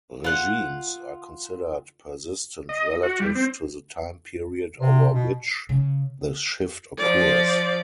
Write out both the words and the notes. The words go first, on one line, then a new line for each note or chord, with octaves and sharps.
Regimes are considered persistent relative to the time period over which the shift occurs.
F4 F#5
D#5
F#4
G3
C4
C3
B2
C#3
F3 D5